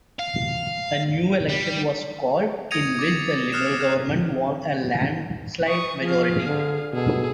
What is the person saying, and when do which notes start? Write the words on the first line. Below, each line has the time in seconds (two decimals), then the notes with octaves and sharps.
A new election was called, in which the Liberal government won a landslide majority.
0.19 F5
1.50 G3
2.71 D#6 G#6 A#6 C#7 D#7 F7
2.99 D6 A6
3.52 D#6 F6 F#6 C7 E7
5.67 C#6 D#6
6.02 F3 G#4 F5
6.46 D3
6.93 B2 G#4 A4